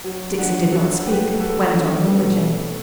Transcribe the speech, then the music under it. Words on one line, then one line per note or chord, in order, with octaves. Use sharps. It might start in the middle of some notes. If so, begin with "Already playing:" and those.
Dixon did not speak, but went on rummaging.
F#3
F#3 D4 F#4
F#3 F#4 A4
A3 G4 B4
B4
A3 F#4 A4
D4
C#4 E4
B2 B3